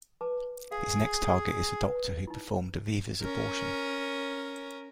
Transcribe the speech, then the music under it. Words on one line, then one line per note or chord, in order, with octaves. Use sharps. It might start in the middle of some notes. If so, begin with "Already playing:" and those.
His next target is the doctor who performed Aviva's abortion.
B4 A5 D6
G#4 F5
B4
D#4 E4
C#4 A#4